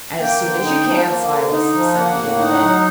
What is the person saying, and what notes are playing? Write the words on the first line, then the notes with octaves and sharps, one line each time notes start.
"As soon as you can, Silas," said the invalid.
A#3 G5
D3
D#4
F3
A#3
D3
D#4
F3
A#3 F#5
A2
D#4
F#3